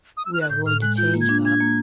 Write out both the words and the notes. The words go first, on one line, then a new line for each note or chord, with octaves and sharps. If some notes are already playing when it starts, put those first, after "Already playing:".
We are going to change that.
D#6
E6
F6
F#6
A2 G6
A2 F6
G#3 F#6
F4 G6
A#3
G#6
D4
D4 G#6
A#3